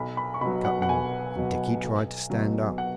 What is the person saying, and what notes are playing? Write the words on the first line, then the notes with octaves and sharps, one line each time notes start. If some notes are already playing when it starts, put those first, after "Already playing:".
He cut them, and Dickie tried to stand up.
Already playing: B1 B5
B5
C#6
B2 F#3 B5
F#5
F#5
B1 G#5
B2 F#3
B1
B2 F#3
F#5